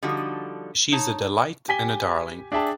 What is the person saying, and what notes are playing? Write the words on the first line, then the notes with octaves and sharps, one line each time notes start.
She is a delight and a darling.
D3 F3 G3 D#4 F#4
D#4 C#5 A5
G4 G#5 B6 G7
D4 G#4 E5 G5 A5